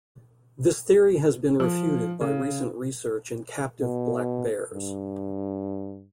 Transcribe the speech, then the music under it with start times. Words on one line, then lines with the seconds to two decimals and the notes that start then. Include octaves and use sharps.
This theory has been refuted by recent research in captive black bears.
1.60 F3
2.21 C#3
3.81 B2
4.73 G2